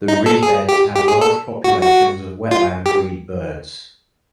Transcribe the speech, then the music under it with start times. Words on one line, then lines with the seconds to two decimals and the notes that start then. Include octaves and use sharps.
The reed beds have large populations of wetland breed birds.
0.08 D#4
0.26 A4
0.43 G#4
0.69 G4
0.96 G4
1.08 G#4
1.21 A4
1.64 F#4
1.82 F#4
2.51 F4
2.86 G4